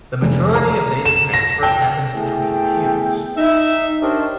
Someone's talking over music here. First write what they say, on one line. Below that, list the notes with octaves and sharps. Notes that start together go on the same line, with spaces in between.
The majority of data transfer happens between peers.
F1
A#5
E7
A#6
G5
A3 B3 E4 G#4 G5
D#4 E5
D4 G4 A#4 C5 C#5 D#5